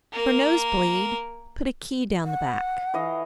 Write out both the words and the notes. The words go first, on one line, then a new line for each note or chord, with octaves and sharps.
For nose-bleed, put a key down the back.
A#3 A#4
F#5
E3 D#5 F5